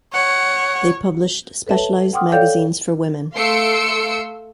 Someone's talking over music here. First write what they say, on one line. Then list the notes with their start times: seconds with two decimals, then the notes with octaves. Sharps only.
They published specialized magazines for women.
0.14 C#5 F#5
1.67 A4 B4 C#5 E5 A5
2.13 F#5 G5 C6 D6 D#6 F6
2.32 A4 C#5 D5 F5 G5 G6
3.35 A3 F5 C6 E6 C#7 D7